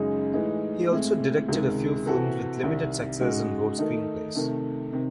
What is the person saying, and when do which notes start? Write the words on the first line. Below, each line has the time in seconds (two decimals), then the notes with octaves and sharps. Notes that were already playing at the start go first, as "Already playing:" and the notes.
He also directed a few films with limited success, and wrote screenplays.
Already playing: F#2 C#3 G#3 D#4 G#4
0.34 A2 E3 G#3 D#4
0.91 A2 G#3 C4 E4
1.48 C#2 C3 D#3 G#3
2.06 C3 E3 C4 F#4 A4
2.63 C2 C3 D#3
3.20 C#3 G#3 D#4 F#4
3.78 D#3 A3 D#4
4.35 C3 D#3 A3
4.93 C3 D#3